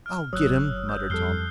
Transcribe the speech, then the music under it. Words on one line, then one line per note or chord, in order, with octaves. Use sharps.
"I'll get him!" muttered Tom.
F6
G1 F#3 C#5 D#6 E6 F#6
G6
F2 G3 A4 F6 C7 G7